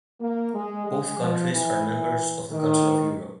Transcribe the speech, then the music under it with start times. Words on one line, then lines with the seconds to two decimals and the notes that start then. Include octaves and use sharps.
Both countries are members of the Council of Europe.
0.21 A#3
0.54 G#3
0.86 G#3
1.19 F3
1.52 E3
2.51 D#3